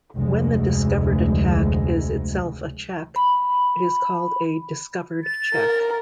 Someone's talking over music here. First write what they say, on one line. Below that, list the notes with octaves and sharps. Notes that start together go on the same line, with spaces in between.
When the discovered attack is itself a check, it is called a "discovered check".
F1 D2 G#3
B5
A6
A#4